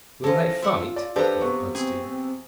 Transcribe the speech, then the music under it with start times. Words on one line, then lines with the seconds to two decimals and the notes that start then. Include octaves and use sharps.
"Will they fight?" scoffed Bud Stevens.
0.24 F3 C#4 A4 A#6
0.62 F4 E5 F#5
0.96 D5
1.16 F3 D4 G4 A4 B4 A#5
1.41 C3 B3 C#6
1.75 C4 G#4